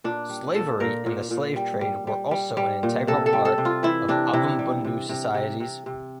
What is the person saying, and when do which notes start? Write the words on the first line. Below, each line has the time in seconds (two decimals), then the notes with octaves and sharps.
Slavery and the slave trade were also an integral part of Ovimbundu societies.
0.04 A#2 D4
0.29 G3
0.55 A#2 A4
0.80 A#2 A#4
1.06 A#2
1.31 A#2
1.56 G3
1.81 G3
2.07 G3
2.31 G3
2.57 G3
2.83 A#2
3.07 C3 A4
3.26 A4
3.33 G3
3.45 A4
3.58 C3
3.65 F4
3.83 E3 E4
4.09 C3 D4
4.33 C3 E4
4.59 G3
4.85 C3
5.09 C3
5.35 C3
5.60 C3
5.86 C3